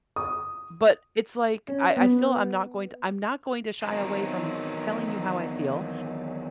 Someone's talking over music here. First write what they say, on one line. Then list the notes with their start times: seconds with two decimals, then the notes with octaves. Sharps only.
but it's like, I I still am not going to I'm not going to shy away from telling you how I feel,
0.16 D#6
1.68 C#4
1.97 B3
3.83 E2 D#3 F#3 C4 A#4 A5